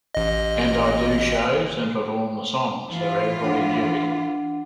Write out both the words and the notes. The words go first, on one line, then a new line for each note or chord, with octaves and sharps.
And I do shows and perform the song, so everybody knew it.
A1 D#5
E3 F4
D4 F#5